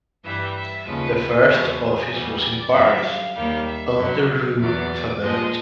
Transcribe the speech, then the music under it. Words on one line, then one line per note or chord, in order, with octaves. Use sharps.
The first office was in Paris on the rue Fabert.
G2 E3 G3 E5
E5
D#2 C#3 F3 G#3 B4
E2 B2 G#3 A4
G#4
E2 B2 G3
D5
F#2 D3 G3 E5
F5
D#2 D#3 G3
E5
F#2 D3 F#3
E2 B2 F#3 D5
A#2 F3 G#3 D#5